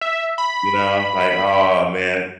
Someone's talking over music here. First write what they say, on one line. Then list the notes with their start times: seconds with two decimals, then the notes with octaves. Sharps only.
you know, like, aw, man
0.01 E5
0.38 B5